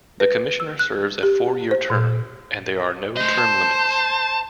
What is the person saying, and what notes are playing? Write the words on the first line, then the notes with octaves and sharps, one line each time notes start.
The commissioner serves a four-year term, and there are no term limits.
B4
E6
F#6
G4
C5
A#2
A3 C5 D#5
A5